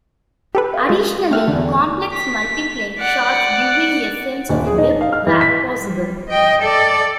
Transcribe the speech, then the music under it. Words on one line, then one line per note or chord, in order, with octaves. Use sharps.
Additionally, complex multiplane shots giving a sense of depth were possible.
G4 A4 B4
F5 C#6
G#3 F4
A3 A4 E5 G5 F6 F#6
E2 D3 A3
B6
D5 F#5
D#1
G#4
D#4
F5
F6
E3
B6
G3
D#5 G5
A4 D5